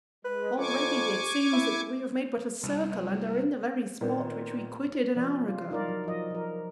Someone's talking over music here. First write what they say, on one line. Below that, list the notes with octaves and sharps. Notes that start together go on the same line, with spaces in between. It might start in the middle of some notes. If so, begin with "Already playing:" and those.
Already it seems that we have made but a circle, and are in the very spot which we quitted an hour ago.'
G#3 B4
F2 G#5 C#6 D6
E4
C2
A#2 D#3 B3 C4
C3 F3 D5
F4
D#4 F4 A#4 D5
F#3
F3 D#5
F3 A#4